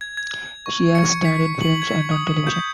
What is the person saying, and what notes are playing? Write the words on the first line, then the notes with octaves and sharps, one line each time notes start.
She has starred in films and on television.
G#6
G#6
C#6
C#7
B6
F#7
G#6
D#6
G6